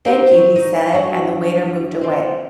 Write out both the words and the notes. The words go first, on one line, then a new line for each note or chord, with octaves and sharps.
"Thank you," he said, and the waiter moved away.
C4 D#4 G4
F#3
D#4
G2 F#3 F#4
C4 F4